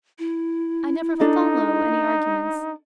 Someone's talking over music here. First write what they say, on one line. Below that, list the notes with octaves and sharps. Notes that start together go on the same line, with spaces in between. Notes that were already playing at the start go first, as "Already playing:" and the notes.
I never follow any arguments.
E4
D4 D#4 A4 D#5